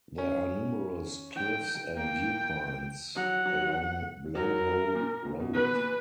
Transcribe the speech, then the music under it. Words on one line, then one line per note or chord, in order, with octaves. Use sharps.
There are numerous cliffs and viewpoints along Blowhole Road.
C#4
G5
A#3 G5
F#3 F#5
F#3
F#3 A#4
A#2
A#2
B2
B2 B4
A#2